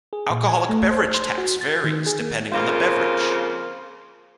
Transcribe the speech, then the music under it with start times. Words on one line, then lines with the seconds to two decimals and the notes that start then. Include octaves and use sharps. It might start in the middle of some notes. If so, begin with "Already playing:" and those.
Alcoholic beverage tax varies depending on the beverage.
0.13 G#4
0.30 A#2
0.48 G#5
0.69 A3
0.90 C5
1.14 C6
1.38 F#4
1.61 A6
1.84 D#3
2.06 G#4
2.20 A#3
2.53 F2 C#3 A#3 F4 A#4 C5